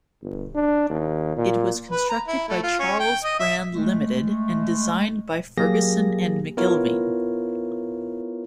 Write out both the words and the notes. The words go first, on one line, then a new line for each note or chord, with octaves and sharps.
It was constructed by Charles Brand Limited and designed by Ferguson and McIlveen.
G1
D4
D#2
A#2
B4
A#5
E4
A3
F4
C#4
G5
D#5
E5
G#3 A3
F#3 A#3 G4 G#4 A#6
B3 E4 F4 A#4 C#5